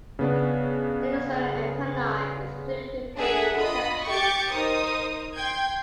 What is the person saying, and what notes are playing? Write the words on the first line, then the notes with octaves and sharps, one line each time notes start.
An external antenna is included to improve reception.
C#3 B3 D4
D4 G#4 A#4 E5 F#5
D4 F4 D#5 B5 D#6
G4 C#6 D6 G6 A6 C#7
D#4 A#4 C5 D#6
G5 C6 G6 G#6